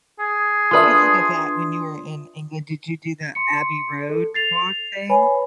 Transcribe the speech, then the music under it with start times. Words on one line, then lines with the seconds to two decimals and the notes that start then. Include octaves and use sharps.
Speaking of that, when you were in England, did you do the Abbey Road walk thing?
0.19 G#4
0.71 D4 F4 B4 E5 C6 D#6
3.35 C6 C#7
4.09 A4
4.34 A6 C7 F7
5.09 B4 C#5 G#5 B5